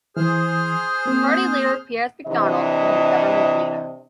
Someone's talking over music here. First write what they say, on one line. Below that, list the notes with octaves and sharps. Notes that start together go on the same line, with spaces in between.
Party leader Piers McDonald became Government Leader.
E3 G#4 C5 F6
A#3 C4
C3 E3 D4 D#5